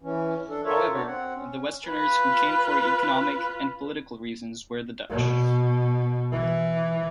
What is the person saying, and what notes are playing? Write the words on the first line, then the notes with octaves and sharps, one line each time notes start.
However, the westerners who came for economic and political reasons were the Dutch.
E3 C#4
D4 A4
F4 A4 A#4 C#5 E5
D4 F#4 C#5 D5
C4 F#5
C#4
F4 B4
B2
E3